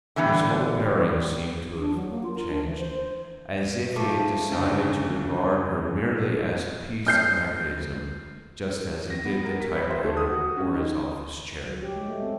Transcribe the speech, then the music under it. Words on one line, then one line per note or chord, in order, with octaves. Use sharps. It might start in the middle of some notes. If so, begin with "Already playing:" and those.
His whole bearing seemed to have changed, as if he had decided to regard her merely as a piece of mechanism, just as he did the typewriter, or his office chair.
D3 E3 G3 B3
D4
F#3
A#3
F4
A#4
D4
E3
C5
F3 A3 D6
F#1 D2 D3
F6 G6 C7
A#6
B3
A#4
B6
B4
C5
A3
D#6
F#4
C#4
D#4
F#3
G4
G#3
A3
C4